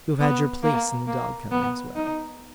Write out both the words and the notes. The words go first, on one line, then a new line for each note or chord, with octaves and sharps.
You have had your place in the dog-kennel as well.
B3
A#3
A#3
B3
D#4